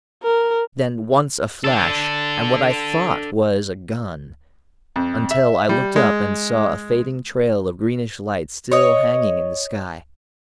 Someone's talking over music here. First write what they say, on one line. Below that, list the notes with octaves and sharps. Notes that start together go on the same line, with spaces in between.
Then once a flash and what I thought was a gun, until I looked up and saw a fading trail of greenish light still hanging in the sky.
A#4
D4 A4
F2
E5
G3
G#3
C#5 D#5